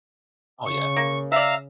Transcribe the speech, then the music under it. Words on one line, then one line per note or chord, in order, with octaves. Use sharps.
Oh yeah.
C#3 C#6
A#3
D5 E5 F5 A#5 E6